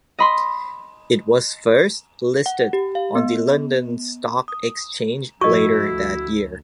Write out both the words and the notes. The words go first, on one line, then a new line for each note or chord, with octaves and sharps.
It was first listed on the London Stock Exchange later that year.
D#5 B5 C6
F#5
G4
F5
B3
D#6
G2 F3 A3 E4 F#4 D#5 C#6
D2